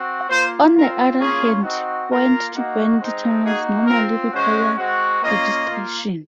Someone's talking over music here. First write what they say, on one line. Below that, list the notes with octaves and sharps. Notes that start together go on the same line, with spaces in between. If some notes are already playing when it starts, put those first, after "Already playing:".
On the other hand, point-to-point tunnels normally require registration.
Already playing: C4 F#4
A#3 F4 C5
C4 F4 A#4
A#3 C#4 F4 G#4
C4 D#4 F#4
A#3 F4 A#4
A#3 D#4 F#4
G#3 C4 D#4
A#3 D#4 F#4 G#4
C4 F4 A#4
G#3 C#4 F#4 C5
G#3 C4 F#4
A#3 C#4 F4 D#5
A#3 F4